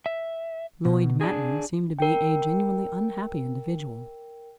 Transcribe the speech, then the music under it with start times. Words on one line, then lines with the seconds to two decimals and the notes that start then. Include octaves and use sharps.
Lloyd Manton seemed to be a genuinely unhappy individual.
0.06 E5
0.85 B2
1.21 D4 G#4
1.99 A#4 G5